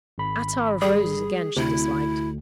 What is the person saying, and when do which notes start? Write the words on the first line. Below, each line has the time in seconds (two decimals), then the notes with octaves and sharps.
Attar of roses, again, she disliked.
0.18 G#1 B5
0.82 G3 G#4
1.57 D2 C3 E4